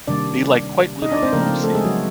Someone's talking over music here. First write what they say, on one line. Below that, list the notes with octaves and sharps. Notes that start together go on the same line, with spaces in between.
they like quite literally don't see it.
C3 D#3 G3 A#3 D4 D5
D#4 D#5
D4 D5
C4 C5
C#3 F3 A3 A#3 A#4
A3 A4
G#3 G#4
F#3 F#4